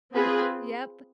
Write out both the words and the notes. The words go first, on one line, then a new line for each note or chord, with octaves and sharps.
and yep.
C4 F4 G#4 B4